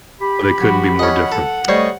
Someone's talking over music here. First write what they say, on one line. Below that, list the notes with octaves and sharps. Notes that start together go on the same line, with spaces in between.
They couldn't be more different.
G4 B5
F3 F#4
C#4 D#5 F#5
A4
G3 A3 C5 C#5 D#5